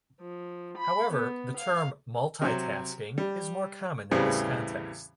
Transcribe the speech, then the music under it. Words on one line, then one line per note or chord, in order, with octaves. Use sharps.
However, the term "multitasking" is more common in this context.
F3
B5
B3
F5
C3 F#3
G3
E2 A2 C#3 E3 G3 C4